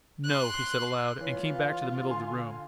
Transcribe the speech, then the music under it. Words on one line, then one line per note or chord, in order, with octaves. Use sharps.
"No," he said aloud, and came back to the middle of the room.
C6 F#6
E3 F4 B4 C#5
F5
D3 G#5 C6